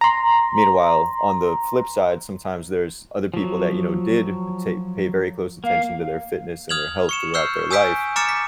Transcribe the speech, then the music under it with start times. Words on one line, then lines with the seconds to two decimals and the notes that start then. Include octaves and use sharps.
Meanwhile, on the flip side, sometimes there's other people that, you know, did ta pay very close attention to their fitness and their health throughout their life,
0.01 A#5 C6
3.34 F3 F#3
5.64 A#3 F5
6.69 D#6 F6 G#6 F7 F#7
7.09 C#6 C#7 E7
7.34 C#6 E6 F6 G6 C7
7.71 G#5 D#6 E6 G6 B6 D7
8.16 A#5 D6 F6 A6 C#7 E7
8.29 B6